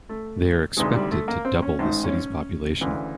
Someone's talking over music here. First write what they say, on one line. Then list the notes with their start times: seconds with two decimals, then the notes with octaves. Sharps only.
They are expected to double the city's population.
0.09 A3
0.77 D2 C3 D#3 G#3
0.95 G3
1.11 A3
1.28 A#3
1.45 C4
1.62 C#4
1.79 A1 G#2 D#3
2.04 C#4
2.81 D2 C#3 E3